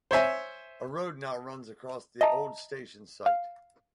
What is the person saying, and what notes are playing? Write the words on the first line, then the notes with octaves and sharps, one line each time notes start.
A road now runs across the old station site.
C5 C#5 E5 G#5
D#5 E5 A5 A#5
F5